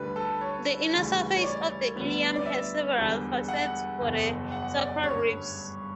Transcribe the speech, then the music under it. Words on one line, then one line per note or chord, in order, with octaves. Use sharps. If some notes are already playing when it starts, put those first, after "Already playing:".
The inner surface of the ilium has several facets for the sacral ribs.
Already playing: D2 D3 G3 B4
A4
C#5
D2 C#3 E3 G3
C#5
D5
D2 D3 G3 B3
D5
E5
E1 E2 D3 G3
F#5
F#1 E2 B2
F#5
D5
G2 D3 G3 C#4 C#5